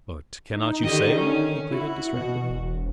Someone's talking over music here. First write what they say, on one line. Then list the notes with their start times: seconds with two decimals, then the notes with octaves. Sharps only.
"But cannot you say?" he pleaded, distractedly.
0.53 D#4
0.83 D3 D#3 G4 D#5
1.14 C#4
1.71 E4 F#4
2.13 B2
2.50 E1